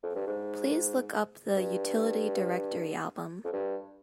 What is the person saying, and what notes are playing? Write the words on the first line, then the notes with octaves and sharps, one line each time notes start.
Please look up the Utility Directory album.
F2
G2
G#2
G2
F2
G2